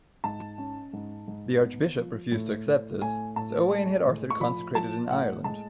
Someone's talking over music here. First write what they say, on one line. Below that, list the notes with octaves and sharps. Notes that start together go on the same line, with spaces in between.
The archbishop refused to accept this, so Owain had Arthur consecrated in Ireland.
G#2 A5
C#4
G#2
G#2
B3
F3
A2
A2
A2 G#5
A2 A5
G#3
A2
C#6
F3 B5
F3 A5
A2 F#5
G#3 A5